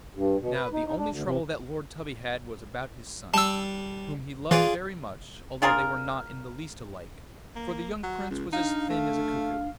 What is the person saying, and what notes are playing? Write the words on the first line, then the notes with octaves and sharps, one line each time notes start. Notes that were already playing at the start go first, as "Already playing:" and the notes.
Now, the only trouble that Lord Tubby had was about his son, whom he loved very much, although they were not in the least alike, for the young Prince was as thin as a cuckoo.
G2
B2
B4
D#4
D#4
D4
D2
C3
G3 D4 A5 E6
E3 F4 G#4 D5
D4 F4 G#4 A#4
A#3
F#3
C#2
D4 D#4 F5
A3